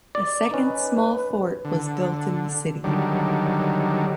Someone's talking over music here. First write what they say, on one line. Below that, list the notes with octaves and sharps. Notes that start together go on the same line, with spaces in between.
A second small fort was built in the city.
D5
C#4 D#4 B4
D3
D3 D#3 F#3 G3